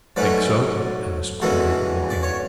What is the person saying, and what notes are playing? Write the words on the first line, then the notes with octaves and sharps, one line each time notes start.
"Think so?" Ernest queried mockingly.
G#2 F#3 A3 C#4 B4 D5
E2 C#3 E3 G#3 F#4 A4
D5
C#5